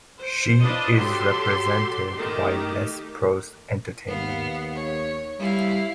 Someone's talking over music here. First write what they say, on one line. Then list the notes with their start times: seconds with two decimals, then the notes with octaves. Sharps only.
She is represented by Les Pros Entertainment.
0.20 C5
0.63 D4 F4 B4 D#5
0.97 F#3 G4 A4 C6
2.15 D#3 A3 D#4 G4
4.08 D#2 B3 F5
4.75 C#5
5.39 G3 E4 F5